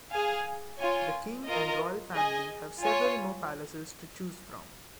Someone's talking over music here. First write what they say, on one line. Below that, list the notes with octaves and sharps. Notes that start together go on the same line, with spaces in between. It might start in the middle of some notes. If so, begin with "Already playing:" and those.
The king and Royal Family have several more palaces to choose from.
G#4 F5 G#5
F4 C#5 G#5
F4 A#4 D#5
G#4 D#5 G#5
F4 C#5 G#5